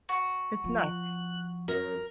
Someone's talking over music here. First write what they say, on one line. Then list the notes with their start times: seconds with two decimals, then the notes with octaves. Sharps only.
it's nuts.
0.09 F#4
0.64 F3
0.79 F#6
1.68 F#2 A#4